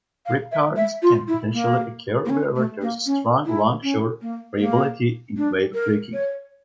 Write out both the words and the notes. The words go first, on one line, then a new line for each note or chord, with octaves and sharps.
Rip currents can potentially occur wherever there is strong longshore variability in wave breaking.
F5
E5
E5
F4
E4
A#3
A#3
C#4
A3
A#3
C#4
E4
C#4
A#3
A#3
D4
A#4
C#5